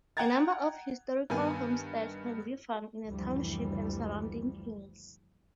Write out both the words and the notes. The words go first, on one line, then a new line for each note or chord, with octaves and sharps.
A number of historical homesteads can be found in the township and surrounding hills.
F#5 G5 A#5 G#6 A6
G2 D#3 B3 B4 G#5
F#1 D2 E3 F3 G3